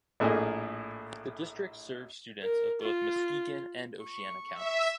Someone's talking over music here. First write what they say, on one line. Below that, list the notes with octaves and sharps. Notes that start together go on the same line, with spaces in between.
The district serves students of both Muskegon and Oceana counties.
A#1 A2 A#3 G#4 D#5
A#4
F4
C#6
E5